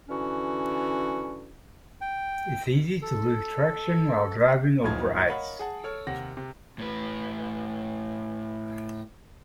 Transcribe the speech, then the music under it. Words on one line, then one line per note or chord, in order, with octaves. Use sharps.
It is easy to lose traction while driving over ice.
D3 E3 C#4 F#4
G5
A4
D1 F#2 A#2 F3 D#4 G#6
A#4 C#5 D#5 F5 F#5 B5
G#4 F#5 A5
A4 C#5 F6
D#2 C3 F#5 A#6
C3
A2 B4